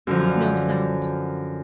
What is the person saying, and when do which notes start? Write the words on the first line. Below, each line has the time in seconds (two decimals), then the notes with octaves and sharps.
No sound.
0.07 F#2 D3 F3